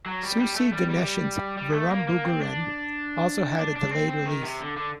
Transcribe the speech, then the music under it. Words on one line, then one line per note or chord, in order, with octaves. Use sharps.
Susi Ganeshan' s "Virumbugiren" also had a delayed release.
F#3
G3
G3
A3
G3
G3
G3
A3
A#3
A#3
C4
D4
D4
D4
C4
C4
D#3
C3
D3
D3